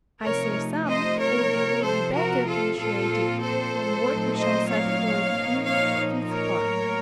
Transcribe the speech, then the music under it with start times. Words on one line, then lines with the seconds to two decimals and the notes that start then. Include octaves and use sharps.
I say "some," for they will be better appreciated from what we shall set forth in the fifth part.
0.24 C3 F3 A3 D#4 A#4 C#5
0.88 C5 D#5
1.19 A#4 C#5
1.52 C3 F3 C4
1.84 A4 C5
2.16 F#4 A#4
2.47 F4 A4
2.79 A#2 F3 C4 F4 A4
3.43 A4 C5
4.07 A#2 F#3 A3 C4 D#4
4.38 C5 D#5
4.70 C#5 F5
5.34 A#2 F3 A#3 D#4
5.66 C#5 F5
6.30 A#4 C#5
6.62 A2 F#3 A#3